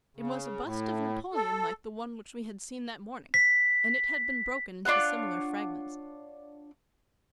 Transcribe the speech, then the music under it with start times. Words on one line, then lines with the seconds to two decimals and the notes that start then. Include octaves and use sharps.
It was a bust of Napoleon, like the one which we had seen that morning, and it had been broken into similar fragments.
0.17 C#3
0.64 A2
1.34 A4
3.34 B6
4.85 D4 F4 C#5 F#5